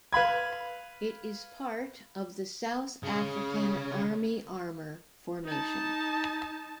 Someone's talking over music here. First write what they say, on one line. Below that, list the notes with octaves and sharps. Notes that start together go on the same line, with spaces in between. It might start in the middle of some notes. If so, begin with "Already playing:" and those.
It is part of the South African Army Armour Formation.
B4 F5 B5 G#6
C#3
D#4 A5